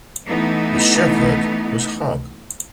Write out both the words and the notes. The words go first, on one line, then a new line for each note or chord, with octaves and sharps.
The Shepherd was Hogg.
E3 A3 B3 D#4